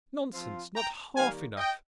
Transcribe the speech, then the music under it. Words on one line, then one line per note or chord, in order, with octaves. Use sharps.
'Nonsense! not half enough.'
F3 C4 F4
G5 A#5
D#3 G3 A#3 F5 G#5
D#5 G5